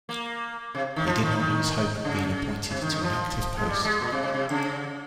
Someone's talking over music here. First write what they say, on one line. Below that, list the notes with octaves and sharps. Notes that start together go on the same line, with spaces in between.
He did not lose hope of being appointed to an active post.
A#3
C3
D#3
F3
D#3
D#3
C#3
C3
D#3
D#3
F3
G#3
G3
G#3
A#2
C3
C3
C3
C#3